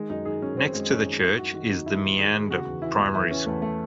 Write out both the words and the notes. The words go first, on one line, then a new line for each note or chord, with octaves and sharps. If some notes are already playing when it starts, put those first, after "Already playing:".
Next to the church is the Meander Primary School.
Already playing: D#3 G#3
F#2 D#4
D#3 G#4
F#2 C#4
D#3 C4
F#2 G#3
D#3 C#4
D#3 D#4
D#3 E4
F#2 F#4
D#3 F#4
F#2 D#4
D#3 E4
D#3
D#3 G#4
D#3 G#4
C#3 F#4
E2
E3 E4
E2
E3 E4
E3 C#4
E2 A3
A3